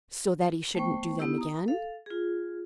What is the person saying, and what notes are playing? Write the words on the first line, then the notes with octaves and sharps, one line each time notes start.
"So that he shouldn't do them again?"
A3 B3 C5 G5 C#6
B3 D#4 E4 G4
A#5 D#6
A4 F5
F4 G#4